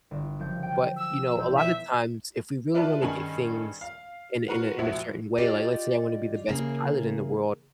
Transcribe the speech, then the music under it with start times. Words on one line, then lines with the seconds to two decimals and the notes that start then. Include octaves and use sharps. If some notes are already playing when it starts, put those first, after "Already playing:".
but, you know, a lot of times if we really wanna get things in a in a in a certain way, like let's say I wanna be the best pilot in the world,
0.11 G1
0.39 F#1 F3 G6
0.63 G5
0.97 E6
1.35 E1 G6
1.56 E5
2.74 E4 F4 B4 D5 A5
3.02 G2 D#3 C#4 G#4 G#5 F#7
3.81 F5
4.48 F4 F#4 A#4 B4 F#5
4.78 F1 A#1 A#2 E4 F#4
5.38 F4 G4 D5 D#5
6.48 C#3 E3 A#3 G#4